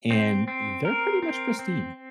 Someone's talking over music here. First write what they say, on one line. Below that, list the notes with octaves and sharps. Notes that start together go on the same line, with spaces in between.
and they're pretty much pristine.
C4
C4
A#4
C4
C4